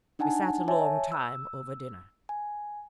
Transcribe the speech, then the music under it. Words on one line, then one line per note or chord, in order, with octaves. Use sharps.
We sat a long time over dinner.
D4 D#4 F#5 G#5 A5
C#5 E5 G#5 A5
E6
G#5